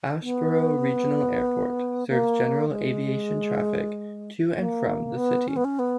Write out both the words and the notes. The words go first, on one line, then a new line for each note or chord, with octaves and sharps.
Asheboro Regional Airport serves general aviation traffic to and from the city.
B3
A#3
G#3
A#3
B3
C#4
B3
C#4
B3